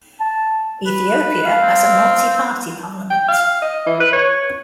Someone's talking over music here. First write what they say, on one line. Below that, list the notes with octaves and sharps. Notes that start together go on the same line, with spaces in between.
Ethiopia has a multi-party parliament.
A5
B4
F5
C4
G5
F5
D#5
E3
B4
C#5